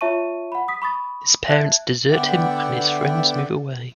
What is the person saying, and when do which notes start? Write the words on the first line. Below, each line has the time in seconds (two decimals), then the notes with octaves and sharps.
His parents desert him and his friends move away.
0.01 F4 C#5 E5 A5 C#6 D#7
0.52 F#5 B5
0.68 D#6 B6
0.82 B5 C#6 D#6 A6
1.48 E5 A5 F#6 G#6
2.10 D3 B3 D5 E5 F#5 G5